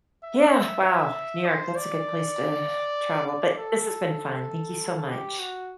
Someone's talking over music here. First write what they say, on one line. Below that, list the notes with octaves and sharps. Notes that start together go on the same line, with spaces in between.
Yeah, wow, New York, that's a good place to travel, but this has been fun, thank you so much.
E5
C5
D5
D5
A4
G4
F#4